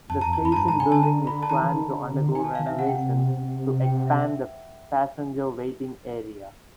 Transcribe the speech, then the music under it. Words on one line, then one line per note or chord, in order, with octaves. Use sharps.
The station building is planned to undergo renovations to expand the passenger waiting area.
F2 A5
F2 A#5
A5
F2 B5
A#5
G2 A5
G#2 A#5
C#3 G#5
D3 A5
A#5
B5
A5
D#3 A#5
E3
D#3
D3
C#3
D3
D#3
G#5
A5
D#3 F5
E5
C3 F#5
G5
F#5
C3
G5
F#5
E5
E5